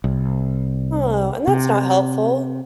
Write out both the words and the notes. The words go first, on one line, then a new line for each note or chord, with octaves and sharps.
Oh, and that's not helpful.
C2
C3